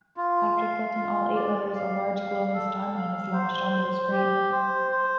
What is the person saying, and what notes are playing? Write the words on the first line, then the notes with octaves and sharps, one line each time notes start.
After collecting all eight letters, a large glowing Starmine is launched onto the screen.
F4
F5
F4
D5
F5
F5
A4
F5
C5
C5
G4
C5
C5